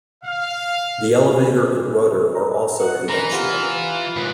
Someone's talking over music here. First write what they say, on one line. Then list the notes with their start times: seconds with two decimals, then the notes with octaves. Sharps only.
The elevator and rudder are also conventional.
0.24 F5
2.35 A#5
2.80 D#4 F#4 F#5
3.09 E3 A#4 A#5 C6
3.33 F4 G4 F#5 A#5
4.16 D#2 G#2 C3 B4